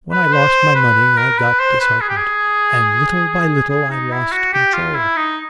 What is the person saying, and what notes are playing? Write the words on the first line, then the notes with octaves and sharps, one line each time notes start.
When I lost my money I got disheartened, and little by little I lost control.
B4
C5
B4
A#4
B4
C5
B4
G#4
G4
G#4
G#4
D#4
E4
F#4
G4
F4
E4
D#4